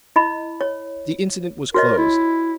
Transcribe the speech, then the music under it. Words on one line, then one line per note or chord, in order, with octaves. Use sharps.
The incident was closed.
E4 D#5 B5
C#5
F#4 A#4 C#5 D#5
E4